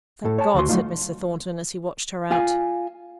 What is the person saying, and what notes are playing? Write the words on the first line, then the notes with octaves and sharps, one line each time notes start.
'Thank God!' said Mr. Thornton, as he watched her out.
A2 A4
C#5 G#5 A5
D2 F#4 C6
F#3 A3 A#3 C#4 D#4 F4
F4 F5 G#5